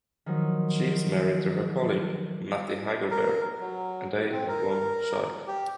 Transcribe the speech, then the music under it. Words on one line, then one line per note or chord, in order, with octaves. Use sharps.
She is married to her colleague, Matti Hagelberg, and they have one child.
D#3 F3 F#3
A#4
F#3
C4
A#4
G4